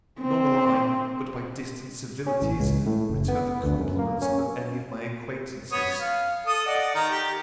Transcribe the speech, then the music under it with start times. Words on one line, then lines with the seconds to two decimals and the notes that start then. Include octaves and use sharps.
Nor will I, but by distant civilities, return the compliments of any of my acquaintances.
0.20 C4
2.26 C#4
2.41 A1
2.59 C#2
2.86 A2
3.09 F#1
3.28 B3
3.63 D2
3.79 F#2
3.98 A#3
4.22 C#4
5.72 B3 C#5 D#6
6.00 F5
6.47 A4 D#6
6.67 D5 D#5 F#5
6.95 D#3 A#5
7.08 G4